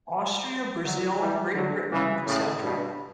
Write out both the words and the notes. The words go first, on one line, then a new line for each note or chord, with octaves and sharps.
Austria, Brazil, Great Britain, etc.
D3 F#3
E3 G3
D3 F#3
C#3 E3
A2 C#3
G2 B2